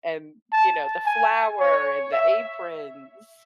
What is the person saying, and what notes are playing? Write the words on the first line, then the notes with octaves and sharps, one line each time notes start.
and, you know, the flour, and the aprons.
A5
G#5
C#5
E5